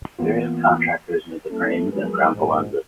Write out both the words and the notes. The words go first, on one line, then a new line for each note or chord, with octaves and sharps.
Various contractors made the frames and ground the lenses.
E3 A#3 B3 F4
G3 A#3 C#4 E4 A4
F3 F#3 G#3 G#4 A#4 B4
A#1 G#2